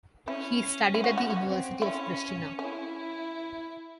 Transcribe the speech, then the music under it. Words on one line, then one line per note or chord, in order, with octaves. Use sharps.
He studied at the University of Prishtina.
C#4 E4
E4
F#4
F#4
F#4
C4
C#4 E4
C#4 E4